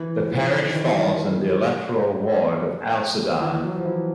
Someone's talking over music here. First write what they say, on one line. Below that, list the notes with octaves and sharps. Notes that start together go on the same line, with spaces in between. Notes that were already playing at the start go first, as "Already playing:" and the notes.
The parish falls in the electoral ward of Alcedon.
Already playing: E3
F3
D#3
E3
E3
F#3
F3
E3